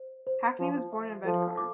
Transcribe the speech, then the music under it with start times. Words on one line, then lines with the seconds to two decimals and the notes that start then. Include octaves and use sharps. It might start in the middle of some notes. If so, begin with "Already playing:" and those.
Hackney was born in Redcar.
Already playing: C5
0.27 C5
0.59 F3 C5
0.92 E5
1.25 F3 A4
1.57 D6